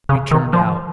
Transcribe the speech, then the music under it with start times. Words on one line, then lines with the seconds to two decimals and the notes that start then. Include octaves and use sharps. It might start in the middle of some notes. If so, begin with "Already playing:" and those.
We turned out.
0.09 C#3
0.31 D#3
0.53 F3